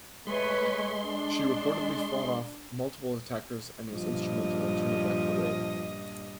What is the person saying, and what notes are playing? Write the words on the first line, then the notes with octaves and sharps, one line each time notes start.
She reportedly fought off multiple attackers and was instrumental in turning back the raid.
G#3 A3 B4 C#5 C6
D4
G2 A#2 F3 D#5